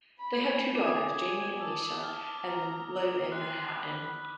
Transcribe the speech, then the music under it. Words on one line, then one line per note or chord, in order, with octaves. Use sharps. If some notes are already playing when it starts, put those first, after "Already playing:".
They have two daughters, Jamie and Misha, and live in Manhattan.
B5
G#6
G#5 D6
D#6
D6
G#5
D6
G#5
A5 E6
F6
A#5
A#5
C6 F#6
B5